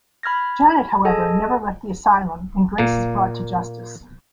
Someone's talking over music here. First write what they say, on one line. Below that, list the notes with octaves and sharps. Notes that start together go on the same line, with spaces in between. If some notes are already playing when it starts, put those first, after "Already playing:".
Janet, however, never left the asylum, and Grace is brought to justice.
B5 F6 G#6 A#6
G#4 A4 D#5 G#5 A5
A#2 A#3